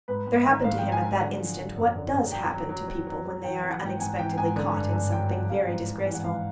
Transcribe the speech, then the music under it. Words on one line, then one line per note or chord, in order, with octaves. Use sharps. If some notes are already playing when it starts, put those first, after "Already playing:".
There happened to him at that instant what does happen to people when they are unexpectedly caught in something very disgraceful.
G#2 B4
G#2
E5
D#3
G#2 F5
G#2 G5
G#5
F#3
D3 F#5
F3
D3
F#2
D3
F#2
F#3 G5
F#3
F#3
F#3
F#3
F#3
E3 G5
E3 G5
F#5
G#2 G5
G#2 G#5
E3 G5
G#2 G#5
D3
G2
G2
F#3 G5
F#3 F#5
G2 F5
G#2
E3
E3
F#5
G#2 F5